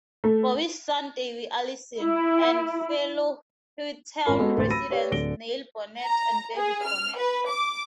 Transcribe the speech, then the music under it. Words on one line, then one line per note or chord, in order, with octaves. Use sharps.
Bobby's son Davey Allison, and fellow Hueytown residents Neil Bonnett, and David Bonnett.
A3
E4
G#1 C#4 F4 A#4 B5 C7
G#3 B3 F#4 G#4 A4
D1 A1 D2 C5 A6
B5 E6 A#6 D#7
G4 B4 C#5 D5
D1 D3 A#6 D7 G7
A#5
G#4
F6
B4
D6